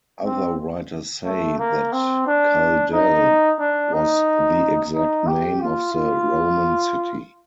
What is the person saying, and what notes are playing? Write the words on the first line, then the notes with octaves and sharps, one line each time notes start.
Other writers say that Caldele was the exact name of the Roman city.
C4
A3
A#3
C4
D4
D#4
D4
D#4
D#4
G4
F4
F4